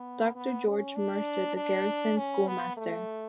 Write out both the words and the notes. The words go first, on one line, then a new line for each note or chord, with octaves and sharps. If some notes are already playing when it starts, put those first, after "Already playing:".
Doctor George Mercer, the Garrison schoolmaster.
Already playing: B3
B3
C#4
D4
D4
C#4
B3
A3